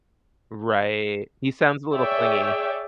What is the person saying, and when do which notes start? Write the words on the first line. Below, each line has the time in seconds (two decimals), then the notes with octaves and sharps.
Right. He sounds a little clingy.
1.94 G#4 C#5 D5 E5 G5